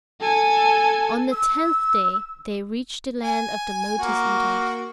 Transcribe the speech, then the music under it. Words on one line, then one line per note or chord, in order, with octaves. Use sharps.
On the tenth day they reached the Land of the Lotus Eaters.
A4 G#5
E6
G#5
A#3 F#4